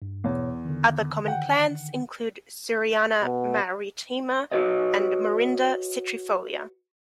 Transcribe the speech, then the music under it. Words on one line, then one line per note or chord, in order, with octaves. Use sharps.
Other common plants include "Suriana maritima" and "Morinda citrifolia".
G2
E2 G#2 B2 C#5
D3 D#3
F#5 G5
B2
F#4 G4 B4 C#5 D#5